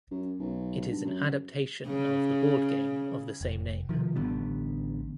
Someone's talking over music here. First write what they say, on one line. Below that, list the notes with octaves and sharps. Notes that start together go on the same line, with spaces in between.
It is an adaptation of the board game of the same name.
F#2
B1
G2
F#2
C#3
F1
C3 D#3 F3
A1 D3 G3 B3